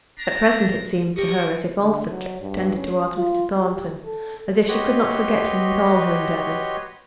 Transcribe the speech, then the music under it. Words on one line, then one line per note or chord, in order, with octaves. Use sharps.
At present it seemed to her as if all subjects tended towards Mr. Thornton; as if she could not forget him with all her endeavours.
D4 A#5
G4 A#4 D#5 C#6
D3
F#3
G2
C#4
F4
G4
A4
F#4 G4 B4 C#5 D#5 C6